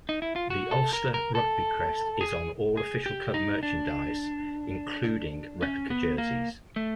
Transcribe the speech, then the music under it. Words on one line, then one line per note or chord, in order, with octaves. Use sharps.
The Ulster Rugby crest is on all official club merchandise including replica jerseys.
D#4
E4
F4
F#4
A4
A#4
A#4
A4
G#4
G#4
G4
D#4
D4
C#4
B3
A#3
A3